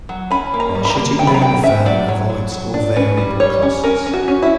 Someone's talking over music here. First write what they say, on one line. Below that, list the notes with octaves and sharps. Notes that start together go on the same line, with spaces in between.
By shutting down a firm avoids all variable costs.
F#3
C#4 B5
A#3
A#5
G3
B5
A#5
A#3
F#3 G5
B5
A#5
F#3 G5
C#4 E5
F#3 D5
F#3 C#5
F#3
F#3
D4
C#4 B4
G3
G3 C#5
C#4
C#4 A#4
C#4
F#4
C#4
E4